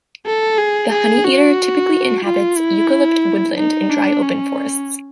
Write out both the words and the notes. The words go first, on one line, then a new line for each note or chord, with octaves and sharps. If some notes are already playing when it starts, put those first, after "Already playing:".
The honeyeater typically inhabits eucalypt woodland and dry open forests.
A4
G#4
G#4
F#4
F4
E4
D#4
D4
C#4